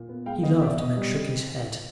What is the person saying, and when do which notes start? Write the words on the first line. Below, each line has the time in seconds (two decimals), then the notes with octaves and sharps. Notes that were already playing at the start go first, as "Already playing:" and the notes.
He laughed, and then shook his head.
Already playing: A#2
0.09 B3
0.26 G#3 F5 G5
0.43 B3 D#5 F5
0.62 B2 D5 E5
0.79 B2 D#5
0.97 G3
1.14 C4